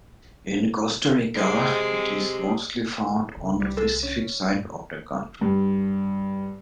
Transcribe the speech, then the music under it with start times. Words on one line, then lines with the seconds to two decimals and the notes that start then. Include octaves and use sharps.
In Costa Rica, it is mostly found on the Pacific side of the country.
1.36 G#3 G4 C5
3.37 C2 D3
3.60 G3
3.77 G#3 A4
4.03 C#4
4.44 F#2 A2
5.41 G2